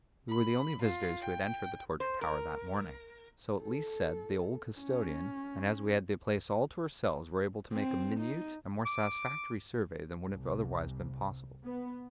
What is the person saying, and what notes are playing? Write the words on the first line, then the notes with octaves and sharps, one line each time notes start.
We were the only visitors who had entered the Torture Tower that morning--so at least said the old custodian--and as we had the place all to ourselves were able to make a minute and more satisfactory survey than would have otherwise been possible.
B5
F4
G5
C5
A#4
A4
C#4
C4
D#4
D6
C2
B3